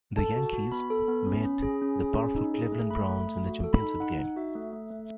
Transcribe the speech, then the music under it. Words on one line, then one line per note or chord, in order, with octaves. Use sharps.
The Yankees met the powerful Cleveland Browns in the championship game.
A4 A5
F#4
F#4
B3 B5
A4
B3
C#4
C#4
G#4
C#4
G#4
C#4
D#4
G#4
A3
A3 B5
A3
A3
F#4
A4
B5
D#4
D#4 F#5
D#4
F#4 E5
A3
A3
A3